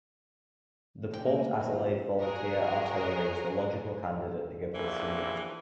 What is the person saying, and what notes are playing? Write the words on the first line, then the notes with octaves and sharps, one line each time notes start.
The Port Adelaide volunteer artillery was the logical candidate to give this salute.
F2 D3 C#4 G4 G5
D2 G#3 A#3 G#4 A#4 E5
G2 A#2 D#3 E3 F#3
G3 F4
F#4 G#4 A#4
A#1 E3